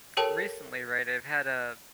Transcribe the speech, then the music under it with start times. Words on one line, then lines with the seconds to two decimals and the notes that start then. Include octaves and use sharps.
recently, right, I've had a
0.17 G4 A4 A#4 C#5 G5 A5